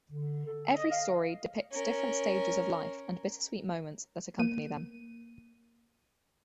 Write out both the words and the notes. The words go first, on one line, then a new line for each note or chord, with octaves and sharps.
Every story depicts different stages of life and bittersweet moments that accompany them.
D3
A4
D#5
F5
C#4 A#4
A#3 D#7